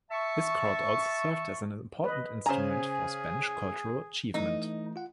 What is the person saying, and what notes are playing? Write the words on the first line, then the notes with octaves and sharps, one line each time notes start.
His court also served as an important instrument for Spanish cultural achievement.
E5 A5 C#6
B4 D#5
C#3 G#4 C5 G#5 A#5
E3 A3 D#4
F4 F#5